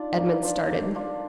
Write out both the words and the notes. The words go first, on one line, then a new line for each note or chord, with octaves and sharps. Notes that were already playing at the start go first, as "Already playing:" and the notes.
Edmond started.
Already playing: D4 D#4 F4
A#3
D4 F4
A#3
D4 F4